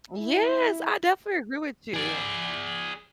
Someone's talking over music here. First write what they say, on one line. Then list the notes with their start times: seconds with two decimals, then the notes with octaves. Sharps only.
Yes, I definitely agree with you.
0.19 E4
1.94 G#4 D5